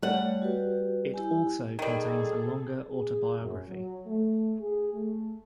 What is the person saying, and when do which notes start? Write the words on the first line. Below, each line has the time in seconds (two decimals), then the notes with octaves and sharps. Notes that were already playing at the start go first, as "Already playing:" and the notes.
It also contains a longer autobiography.
0.02 G3 A3 C#5 D5 F#5
0.42 F#4 G4 B4
1.14 E4 G4 G#5
1.79 D#3 G3 G#4 A4
2.88 G#4
3.38 F#2
3.67 F#3
4.07 A3
4.61 G#4
4.93 A3